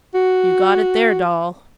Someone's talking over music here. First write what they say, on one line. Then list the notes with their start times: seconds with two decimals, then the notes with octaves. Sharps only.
'You got it there, Doll.
0.15 F#4